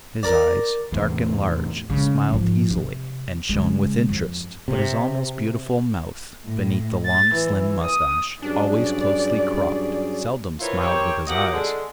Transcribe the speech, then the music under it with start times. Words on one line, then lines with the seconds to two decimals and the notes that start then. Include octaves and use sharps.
His eyes, dark and large, smiled easily, and shone with interest, but his almost beautiful mouth, beneath the long slim mustache, always closely cropped, seldom smiled with his eyes.
0.23 A#4 D5
0.92 E2 A2 C3
1.90 C#3 G#3
2.29 G#2 F3
2.70 C3
3.49 C#3 G#3
4.09 F2
4.68 C3
6.44 A2
7.05 A6
7.34 E3
7.83 D#6
8.42 G2 F#3 C#4 D4 G#4 D5
10.60 D#3 E3 E4 F4 C5 C#5
10.79 D#3 C4 G4 C5 C#5
11.27 A#2 F#3 G4 D#5 F#5
11.53 D3 G#3